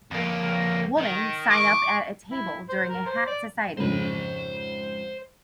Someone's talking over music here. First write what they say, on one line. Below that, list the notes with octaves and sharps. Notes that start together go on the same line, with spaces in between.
Woman sign up at a table during a hat society meeting.
F2 A#3
D#3
C#6 D6
E4
C5
A#4
C5
D5
F2 G#2 C#3 C5 B5